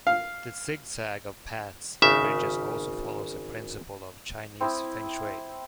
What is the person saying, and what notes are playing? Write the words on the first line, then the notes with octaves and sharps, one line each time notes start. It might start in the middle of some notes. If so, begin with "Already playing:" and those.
The zig-zag of paths and bridges also follows a principle of Chinese Feng Shui.
F5
G#1 C#3 E5
C4 E4 D6 D#6